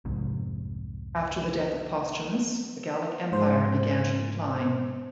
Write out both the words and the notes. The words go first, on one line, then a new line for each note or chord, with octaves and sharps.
After the death of Postumus, the Gallic Empire began to decline.
C2 F2 G#2 C3
G#2 C5